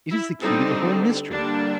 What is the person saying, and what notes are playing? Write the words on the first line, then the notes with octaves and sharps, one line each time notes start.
It is the key to the whole mystery.
E4
D3 G3 C4 D#4
D3 G3 A#3 D4